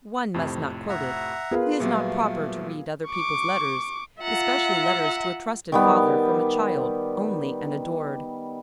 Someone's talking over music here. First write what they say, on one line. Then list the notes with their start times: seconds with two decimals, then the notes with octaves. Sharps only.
One must not quote it--it is not proper to read other people's letters, especially letters to a trusted father, from a child, only and adored.
0.34 F2 A2 C3
0.89 E5 F#5 A#5
1.51 B3 F4 G#4 A#4 B4 F5
1.80 A#2 F#3 G3 A3
3.07 C#6 D6
4.21 F4 E5 F#5 A#5
5.72 D#3 G3 B3